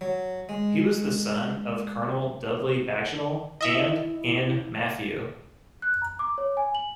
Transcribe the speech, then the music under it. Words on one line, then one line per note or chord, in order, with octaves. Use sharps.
He was the son of Colonel Dudley Bagenal and Ann Matthew.
F#3
G#3
E4 D#5 E5
F#6
A#5
D6
C#5
G#5
F#7